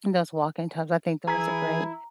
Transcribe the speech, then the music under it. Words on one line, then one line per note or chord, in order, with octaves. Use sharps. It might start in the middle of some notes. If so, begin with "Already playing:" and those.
and those walk-in tubs, I think those are great,
E3 E4 G#4 A#5